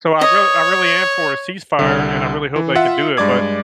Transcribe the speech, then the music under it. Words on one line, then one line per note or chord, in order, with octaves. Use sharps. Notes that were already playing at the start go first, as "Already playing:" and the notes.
So I real I really am for a ceasefire, and I really hope they can do it. But,
C#5 D#5
C2 D3
E3
F4 E5 F#5
G2 G#3 D5 D6 G#6